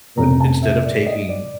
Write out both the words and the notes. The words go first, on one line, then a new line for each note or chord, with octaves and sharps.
but instead of taking
F1 F2 C#3 A#5
A5
E5
D5
D#5
D5